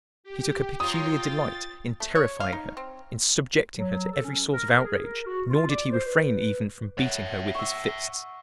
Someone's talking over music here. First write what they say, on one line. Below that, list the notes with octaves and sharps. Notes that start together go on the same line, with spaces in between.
He took a peculiar delight in terrifying her, in subjecting her to every sort of outrage; nor did he refrain even from beating her with his fists.
G4
F4 C#5 G5 A#5 C6 D#6
A6
A3
C#5
F5
D#4
C4
F#3
A4
C#4
A#4
G#4
A#4
F#4
F4
D5
C5
B4
C#5 E5 F#5
C#6 E6